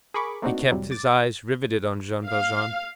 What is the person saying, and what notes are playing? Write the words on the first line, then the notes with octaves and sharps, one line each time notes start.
He kept his eyes riveted on Jean Valjean.
G#4 A#4 B5 C#6 D6
A3 A#3 C4 D4 D#4 F#4
F2 A2 C3 F#3 G3
D6 A6
F5